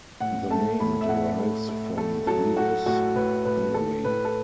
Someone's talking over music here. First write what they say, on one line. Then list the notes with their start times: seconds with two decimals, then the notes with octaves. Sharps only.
The name derives from Heves, Hungary.
0.20 A2 F#5
0.50 A3 A5
0.80 A2 B5
1.01 E5
1.09 A2 F#5
1.39 A3
1.69 A3
1.98 A3 A4
2.27 F#3 A4
2.57 F#3 F#4
2.86 A2 F#4
3.15 A2 B4
3.45 A2 B4
3.74 A2 A4
4.04 A2 B4
4.25 A4